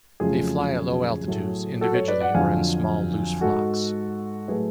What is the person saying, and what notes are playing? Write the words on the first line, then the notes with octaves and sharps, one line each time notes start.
They fly at low altitudes, individually or in small, loose flocks.
F2 C#3 F#3 A3 F4 G#4
A2 F#3 A3
F#4 A4
A4 C#5
B4 D5
D5 F#5
F2 D3 F#3 F5 G#5
G#2 G#3 F#4 A4
A2 F#3 A3 G#4 B4